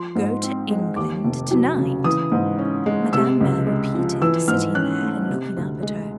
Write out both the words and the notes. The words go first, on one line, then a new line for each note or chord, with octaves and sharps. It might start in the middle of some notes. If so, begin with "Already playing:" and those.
"Go to England to-night!" Madame Merle repeated sitting there and looking up at her.
Already playing: F3 C6
G#2
C4
G#3
D#2 D6
F1
F#3
C#3
E3 D#6
G#2
C#4
G#3
C3 E6
C#2
G#3
F3
E3 E6
G#2 F6
C#4 F#6
A3
C3
D2
G#3